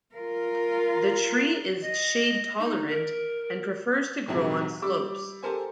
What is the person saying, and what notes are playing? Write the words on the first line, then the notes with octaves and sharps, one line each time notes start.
The tree is shade-tolerant and prefers to grow on slopes.
F4 A#4
D#5
D#4
A#4
A#1 D#2 G#2 C3 F#3
G3 D6 E6
G4 A4 A#4 C5 G#5